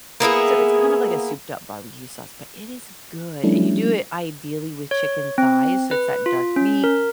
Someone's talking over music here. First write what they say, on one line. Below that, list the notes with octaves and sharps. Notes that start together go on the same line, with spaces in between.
So it's kind of like a souped up barbecue sauce, but it is good. And you do it ideally with chicken thighs, so it's that dark meat
A#3 B3 E4 G#4
F3 G3 A3 C#4 D4 E4
C#5
C4
B4
F4
C#4
A#4